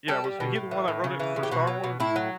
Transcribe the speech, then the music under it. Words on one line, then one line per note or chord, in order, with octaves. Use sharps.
Yeah, was h he the one that wrote it for Star Wars?
G3 A4
G3
B2
A2
E3
A2
C#3
E3
C#3
G4
B2 F#4
F#3
B2
A2 E4
F#3